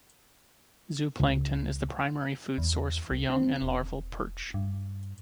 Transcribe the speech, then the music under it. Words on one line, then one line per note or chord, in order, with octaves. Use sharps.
Zooplankton is the primary food source for young and larval perch.
C#2
E2
C2
C4
E1
G2